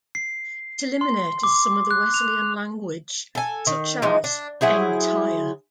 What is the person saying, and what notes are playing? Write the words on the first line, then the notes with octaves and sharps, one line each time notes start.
It eliminated some of the Wesleyan language, such as "entire".
C7
C6
D6
F#6
F7
A4 G#5
D#3
E3 F3 G#3 D#4
D4
F#3 E4 G#4 C5